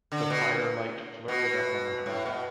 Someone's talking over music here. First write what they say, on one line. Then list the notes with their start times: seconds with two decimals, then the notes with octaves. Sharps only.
The firelight flurried up on the hearth.
0.12 D3
0.30 B2
1.28 B2
2.06 A2
2.26 B2